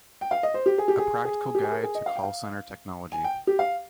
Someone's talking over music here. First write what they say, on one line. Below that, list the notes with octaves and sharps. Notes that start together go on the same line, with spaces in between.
A Practical Guide to Call Center Technology.
G5
F5
D#5
C5
G4
G#4
G4
G#4
G#4
G4
G#4
A#4
G#4
D#5
F5
G5
F5
G#5
G5
G4
F5